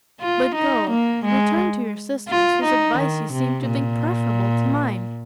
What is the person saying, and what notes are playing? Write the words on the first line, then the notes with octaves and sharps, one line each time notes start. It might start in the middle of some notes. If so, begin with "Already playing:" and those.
But go; return to your sisters, whose advice you seem to think preferable to mine.
F4
D#4
A#3
G#3
F4
D#4
D#3
C3
A#2